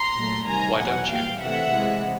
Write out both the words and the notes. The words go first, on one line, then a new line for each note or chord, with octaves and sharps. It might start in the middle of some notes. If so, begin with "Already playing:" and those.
Why don't you?
Already playing: A#5 C6
A#2 F#3 A3
C3 D#3 G3 G#5 A#5
E2 B2 F#3 F#5 G#5
A#2 G3 F5 G5
C3 E3 A3 E5 F#5
C3 E3 G#3